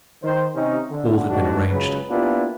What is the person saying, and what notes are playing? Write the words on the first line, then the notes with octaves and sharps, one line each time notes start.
All had been arranged.
D#3 C5
C3 C#4 D#4
D3
D#2 G#2 G3 D4 F#4
C#2 C#3 F#3 B4
A#3 B3 D4 E4 F4 G4